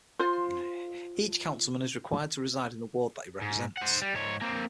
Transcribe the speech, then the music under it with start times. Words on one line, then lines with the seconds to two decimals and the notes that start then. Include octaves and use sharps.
Each councilman is required to reside in the ward that he represents.
0.19 F4 C5
3.42 G#2
3.78 C5 F#5
4.02 G3
4.15 G#2 C#5
4.42 A#3 C4